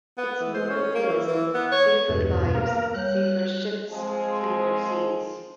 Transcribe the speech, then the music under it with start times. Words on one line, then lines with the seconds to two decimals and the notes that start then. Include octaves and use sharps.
Its motto is "Safer Lives, Safer Ships, Cleaner Seas".
0.17 B3
0.41 E3
0.54 C5
0.70 C#4
0.95 A#3
1.09 E3
1.28 E3
1.54 B3
1.72 C#5
2.09 E2 G2 B2 B4
2.54 A#3 A#4
2.94 G3 C#5 F#6 G6
3.90 F3 G#3 C4 G#4